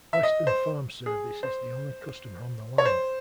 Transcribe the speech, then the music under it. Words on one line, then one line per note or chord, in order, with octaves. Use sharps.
Western Farm Service is the only customer on the line.
E5
D#5
C5
G#4
C5
C#5
C5